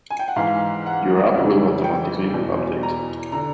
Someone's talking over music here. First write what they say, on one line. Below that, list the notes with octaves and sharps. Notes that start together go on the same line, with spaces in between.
Your app will automatically update.
G#5
G5
F#5
G#2 E3 F5
F#5
F2 C#3 E3
G5
E2 B2
A#5
D3 A#5